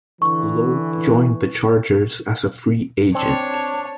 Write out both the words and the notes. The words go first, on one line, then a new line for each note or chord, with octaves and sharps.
Lowe joined the Chargers as a free agent.
D3 E3 C#6
C4 D4 C#5 A5